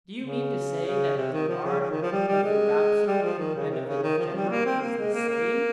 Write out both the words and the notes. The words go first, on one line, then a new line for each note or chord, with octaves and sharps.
Do you mean to say that the art of the rhapsode and of the general is the same?
C#3
C#3
C3
D#3
F3
C#3
C#3
D#3
F3
G3
G3
G#3
G3
F3
D#3
C#3
C3
C#3
D#3
F3
G3
A#3
C4
A#3
G#3
A#3
A#3